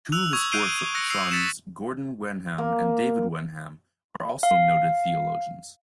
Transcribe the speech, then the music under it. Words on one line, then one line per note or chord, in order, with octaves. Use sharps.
Two of his four sons Gordon Wenham and David Wenham are also noted theologians.
E6 F#6 F7
C#6 D#6 E6 G#6 F7
F#6 G6 C7 D7 D#7 G7
E6 F#6 A#6 C#7
E6 C7 F7
A6 B6 C#7 E7
A#3
F5